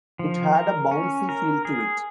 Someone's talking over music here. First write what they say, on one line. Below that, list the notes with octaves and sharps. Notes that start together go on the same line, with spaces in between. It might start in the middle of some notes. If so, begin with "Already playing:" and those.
It had a bouncy feel to it.
F3
A#4
C#4
A#4
G#4